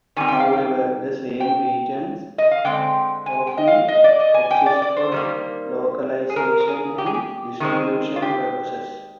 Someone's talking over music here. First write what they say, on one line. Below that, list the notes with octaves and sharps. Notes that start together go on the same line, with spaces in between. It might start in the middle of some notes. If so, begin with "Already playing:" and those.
However, the same regions often exist for localisation and distribution purposes.
D#3 G3 C4 G#5
G5
F5
G5
G5
D#5
F5
D3 G#3 C4 G5
G#5
G5
D#5
F5
D#5
D5
D#5
G#5
G5
D5
D5
C5
D#3 G3 A#3
G#4
A#4
A#4
G#4
G4
G#4
G4
D#3 G#3 C4
F4
G4